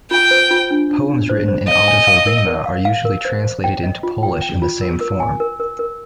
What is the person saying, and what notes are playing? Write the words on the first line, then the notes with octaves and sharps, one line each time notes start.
Poems written in ottava rima are usually translated into Polish in the same form.
F4 G5
C5
F4
D4
D4
D4
C5
C5
D#5 F5
G#5
F5
A#4
A#4
F5
F5
A#4
C5
C5
G5
D#5
F4
G5
G5
F4
A#4
A#4
G#5
A#4
A#4
A#4